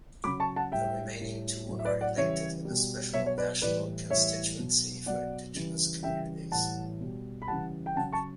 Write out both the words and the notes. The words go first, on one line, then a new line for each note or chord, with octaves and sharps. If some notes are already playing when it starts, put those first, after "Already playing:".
The remaining two are elected in a special national constituency for Indigenous communities.
C#3 F#3 B5 D6
A5 C#6
F#5 A5
A2 G3 E5 G5
A2 G3
A2 F#3
E5
B4 D5
D5 F#5
C#3 E3 G3 C#5 E5
B2 G3
B2 F#3 C#5 E5
C#5
B4 D5
A2 E3 G3 B4 D5
A2 E3 G3 C#5 E5
B2 F#3
B2 F#3 D5 F#5
C#3 E3 G3
C#3 E3 G3 E5 G5
A2 E3 G3 F#5 A5
B2 G3
B5
C#3 E3 G3 F#5 A5
G5
C#3 F#3 F#5 A5
A5 C#6